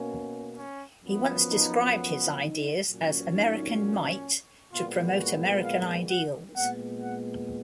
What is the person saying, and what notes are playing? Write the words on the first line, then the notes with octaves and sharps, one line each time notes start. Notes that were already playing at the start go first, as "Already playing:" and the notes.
He once described his ideas as American might to promote American ideals.
Already playing: B2 A#3 C#4
C#4
F#2 F3 B3
D#4
D#4
A#2 F#3 C#4
D#4
A#2 G#3 B3 F4
F#4
F5
F#5
A#2 G#3 B3 F#5
F#5